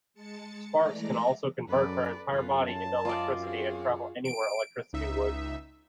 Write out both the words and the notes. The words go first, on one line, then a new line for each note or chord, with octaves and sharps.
Sparks can also convert her entire body into electricity and travel anywhere electricity would.
G#3 A5 A6 C#7
E3 G#3 A3 D5 A#5 A#6
F#2 A4 B4 D5
F#2 C#4 F4 A4 B4
A5
F4 D5 D#5 F5 G#5
C4 F#4 G#4 F5
D7
C#2 D#4 E5